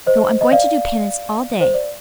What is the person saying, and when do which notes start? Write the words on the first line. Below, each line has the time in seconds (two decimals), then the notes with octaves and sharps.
So I'm going to do penance all day.
0.06 C5 D#5
0.41 D#5
0.51 D5 F5
1.61 C5
1.74 D5